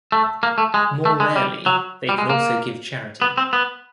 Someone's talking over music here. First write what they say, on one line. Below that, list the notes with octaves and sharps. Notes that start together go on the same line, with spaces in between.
More rarely, they can also give charity.
A3
A#3
A3
G#3
A3
G#3
G3
F#3
G3
G#3
A#3
B3
C4
B3